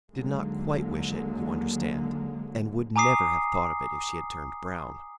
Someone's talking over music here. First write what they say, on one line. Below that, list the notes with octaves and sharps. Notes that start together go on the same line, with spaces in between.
She did not quite wish it, you understand, and would never have thought of it if she had turned brown.
D#2 D3 F#3 G#3 A#3
G#5 A#5 D6 D#6 C7